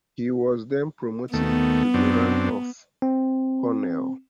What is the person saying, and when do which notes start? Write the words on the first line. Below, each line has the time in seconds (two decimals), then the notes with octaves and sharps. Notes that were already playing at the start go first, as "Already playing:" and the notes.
He was then promoted to the rank of colonel.
1.33 D#2 A3 B3
1.94 F#2 C4 D4
3.02 C4